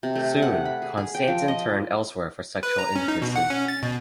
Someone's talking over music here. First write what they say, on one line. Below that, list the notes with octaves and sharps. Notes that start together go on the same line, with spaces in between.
Soon, Konstantin turned elsewhere for sexual intimacy.
C3
A3
F#5
B5
G#4
G#4
G5
F3
D#5
B4
A#5
C#4
D#4
B2
F#5
C#4
A6
B2